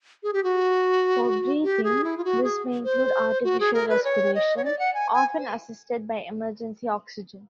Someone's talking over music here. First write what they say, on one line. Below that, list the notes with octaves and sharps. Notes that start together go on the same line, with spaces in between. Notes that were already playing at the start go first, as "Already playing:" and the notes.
For breathing, this may include artificial respiration, often assisted by emergency oxygen.
G#4
G4
F#4
G4
G#4
E4
F4
F#4
G#4
C5
F#4
G#4
A#4
B4
C#5
D#5
C#5
D5
F#5
G#5
G#5